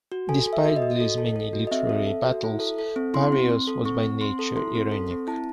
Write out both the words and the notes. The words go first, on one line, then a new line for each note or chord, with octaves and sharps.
Despite these many literary battles, Pareus was by nature irenic.
F#4
A4 G#5
A4
E5
F#4
D#5
F#4
A4
A4
A4
F#4
D#5
C4 E5
A4
A4
F#4
E4
A4
A4
C4
E4 C6
C4
C4
A4
C4 C#6
C4
C4 C6
A4
E4 C6
C4
A4
C4
E4 A5